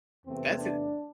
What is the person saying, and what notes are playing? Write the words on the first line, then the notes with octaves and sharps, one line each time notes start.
that's i
E2 C3 E3 A3 C4
D4